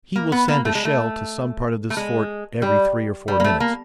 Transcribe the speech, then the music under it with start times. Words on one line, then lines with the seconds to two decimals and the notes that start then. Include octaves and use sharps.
He will send a shell to some part of this fort every three or four minutes.
0.16 A#3
0.32 B3
0.48 A#3
0.65 A3
0.75 G#3
0.85 A3
1.90 A3
1.97 G#3
2.62 G3
3.28 G3
3.40 A#3
3.44 A3
3.60 A#3